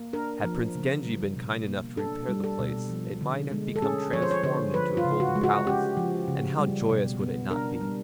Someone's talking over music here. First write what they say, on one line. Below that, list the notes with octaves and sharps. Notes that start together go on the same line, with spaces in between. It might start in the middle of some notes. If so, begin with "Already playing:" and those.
Had Prince Genji been kind enough to repair the place, it might have become transformed into a golden palace, and how joyous would it not be?
Already playing: A#3
D4 A#4
F3
C#3
G3
B2
A#3
D4 A4
G3
A4
B2
F3
D3
G#3
A4
C#4 G#4
F3 C#5
C5
C#5
D3 C5
F3 B4
F4
C#3
F#4
G#3
F#4
C#4 G4
F3
C#3
G3
B2
B3
D4 A#4
G3